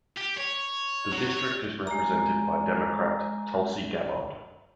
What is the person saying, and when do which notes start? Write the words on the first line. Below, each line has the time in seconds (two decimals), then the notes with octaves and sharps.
The district is represented by Democrat Tulsi Gabbard.
0.18 G4
0.38 C#5
1.12 F#3
1.27 C#5
1.87 G#3 A#5